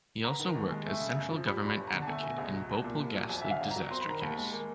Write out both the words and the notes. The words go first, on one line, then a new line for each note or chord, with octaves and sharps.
He also worked as Central Government advocate in Bhopal Gas Leak Disaster case.
B3 A#5
D#3
D#2
G#3
A3
C#3
F#2
F3
G3 B5
G2 B5
G1
A#5
D3
A5
A3 G#5
B2
C#2
F#3
C2
A#2
C2
F#3
F2 G#5
E5
D3 F5
F2
A#5
F#3
C4 C6
B5
D#3 A#5
D#2 B5
G#3
A#3